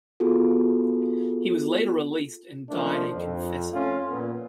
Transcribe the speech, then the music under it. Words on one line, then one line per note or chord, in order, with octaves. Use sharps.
He was later released and died a confessor.
B3 F4 F#4 G#4 A4
D#3 F3 A3 A#3 D4
F2
A3 C#4 F4
A#2 B3